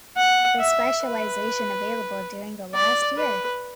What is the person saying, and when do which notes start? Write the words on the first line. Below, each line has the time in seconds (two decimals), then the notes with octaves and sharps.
The specialization available during the last year.
0.17 F#5
0.60 E5
1.04 B4
2.74 D5
3.17 B4